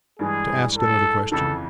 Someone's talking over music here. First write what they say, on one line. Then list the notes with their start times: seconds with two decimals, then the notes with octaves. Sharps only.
To ask another question.'
0.19 G2 E3 G#3 G#4
0.76 A4
1.31 F2 C#3 E3 A4